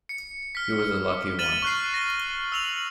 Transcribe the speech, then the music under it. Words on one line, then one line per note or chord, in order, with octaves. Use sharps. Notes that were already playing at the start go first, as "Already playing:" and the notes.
He was a lucky one.
C#7
F6 B6
F6 A6 D#7 E7 F#7 G7
C#6 F#6 C7
A#6
E6 F7 F#7